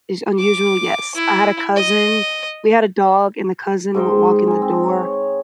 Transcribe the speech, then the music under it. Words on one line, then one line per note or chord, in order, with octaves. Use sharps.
is unusual? Yes, I had a cousin we had a dog, and the cousin would walk in the door,
D6
E4
D#5
G#2 D#4 C5 G5
G#5 A#5
C4
C#5